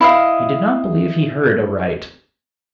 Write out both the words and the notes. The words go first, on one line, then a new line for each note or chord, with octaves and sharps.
He did not believe he heard aright.
E4 D#5 F5